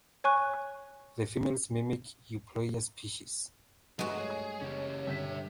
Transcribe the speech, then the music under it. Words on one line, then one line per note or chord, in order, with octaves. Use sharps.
The females mimic "Euploea" species.
C#5 G#5 C#6 F#6
G2 F#3 G#3 A3 F#4 B4
G#4 C#5
F#1 C#4 G4
G2 D3 E5 G5 B6